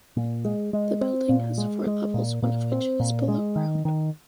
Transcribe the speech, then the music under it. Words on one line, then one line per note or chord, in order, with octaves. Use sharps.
The building has four levels, one of which is below ground.
A#2
G#3
G#3
C4
A#2
G#3
G#3
A#2
A#2
C4
A#2
G#3
D#3
D#3